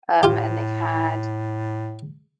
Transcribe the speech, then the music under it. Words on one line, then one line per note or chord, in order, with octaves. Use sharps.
um, and they had,
A2 F4 G4